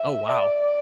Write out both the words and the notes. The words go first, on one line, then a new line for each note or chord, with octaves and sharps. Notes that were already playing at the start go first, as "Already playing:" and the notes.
Oh, wow.
Already playing: E5
D5